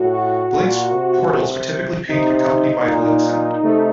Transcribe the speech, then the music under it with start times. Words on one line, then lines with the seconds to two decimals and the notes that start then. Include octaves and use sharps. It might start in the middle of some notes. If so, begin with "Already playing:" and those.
Blink's portals are typically pink and accompanied by a "Blink" sound.
Already playing: A2 F#4
0.54 A#2
0.92 C3
2.08 C3 D#4
2.85 A#2
3.62 C3 A3